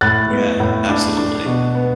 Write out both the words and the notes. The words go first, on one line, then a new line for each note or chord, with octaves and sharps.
Yeah, absolutely.
A2 F#6 A6
B3
A2
D4
D4
B2
B3